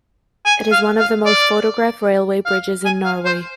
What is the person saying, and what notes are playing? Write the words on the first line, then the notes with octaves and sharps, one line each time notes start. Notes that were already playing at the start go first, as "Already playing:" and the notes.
It is one of the most photographed railway bridges in Norway.
G#5
F5
F5
D5
F5
G#5
F5
C5